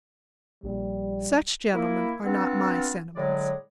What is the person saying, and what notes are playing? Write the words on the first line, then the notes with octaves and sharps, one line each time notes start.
Such, gentlemen, are not my sentiments.
A#1 G3
A#3 E4
B3 C4 D4 F4 A4
A2 D3 F#3 G#3 D5